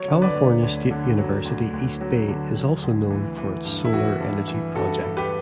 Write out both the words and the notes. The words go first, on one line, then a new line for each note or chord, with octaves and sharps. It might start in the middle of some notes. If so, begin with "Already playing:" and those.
California State University, East Bay is also known for its Solar Energy Project.
Already playing: F#3 C#5
D3
B4 D5
D2
D2
D3
F#3
D2
D2
F#3
D3
F#3
D2
E3
E3
G2
E4
E3 F#4
G2
E3
G2 F#4 A4
G2
G4 B4